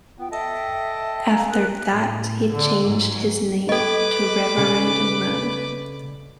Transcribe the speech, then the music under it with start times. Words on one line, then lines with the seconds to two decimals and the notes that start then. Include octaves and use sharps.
After that he changed his name to "Reverend Run".
0.19 B3 F4 G5
0.32 A4 D#5 E5 G5 A5
1.29 F5 G#5 A#5
1.49 A#4 F#6
1.90 A2
2.52 D3
2.84 G#2 F#3
3.69 A4 B4 D#5 D6
4.57 C#3 D5